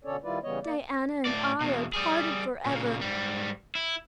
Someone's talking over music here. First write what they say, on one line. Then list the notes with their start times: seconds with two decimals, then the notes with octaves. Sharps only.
Diana and I are parted forever.
0.05 B2 D3 C#4 A4 C#5 D5
0.23 D#3 G3 E4 F4 B4 D5
0.43 C#3 E3 G3 B3 C#5 D#5
0.63 A#3 D5
1.25 A2 D5
1.61 E2 B2
1.94 G3 G#4
2.65 A#2 C#3
3.01 G#2 G3
3.75 E4